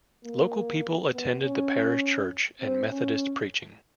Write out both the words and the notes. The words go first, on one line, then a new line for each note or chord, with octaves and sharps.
Local people attended the parish church and Methodist preaching.
A#3
B3
C#4
C4
C#4